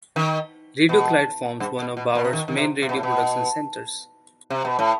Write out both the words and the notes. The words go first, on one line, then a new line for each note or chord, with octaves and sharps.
Radio Clyde forms one of Bauer's main radio production centres.
D#3
B2
G2
B2
B2
B2
C3
D#3
D#3
C3
C3
B2
A2
B2
C3
B2
A2